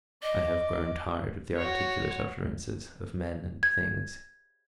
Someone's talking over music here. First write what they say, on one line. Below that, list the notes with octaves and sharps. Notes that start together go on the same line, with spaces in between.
I have grown tired of the articulate utterances of men and things.
D5 D#5
F#4 C#5
G#6